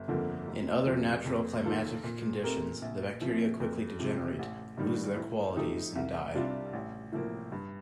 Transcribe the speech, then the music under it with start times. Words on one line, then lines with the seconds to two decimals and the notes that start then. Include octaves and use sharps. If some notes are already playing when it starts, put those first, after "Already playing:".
In other natural climatic conditions the bacteria quickly degenerate, lose their qualities and die.
Already playing: G1
0.08 F2 D3 F3 A#3
0.48 F1
0.87 F2 C3 F3
1.26 F2
1.65 D#3 A#3 F4 A4
2.04 A#2
2.43 A3 C4 G4 A#4
2.82 A#1
3.21 A2 F3 C4
3.60 F2
3.99 C3 F3
4.39 A1
4.77 G2 D#3 G3
5.17 A2
5.56 F3 A3 D#4 G4
5.96 C2
6.34 C3 G3 D4 F4
6.73 A1
7.12 A2 F3 A#3
7.52 G2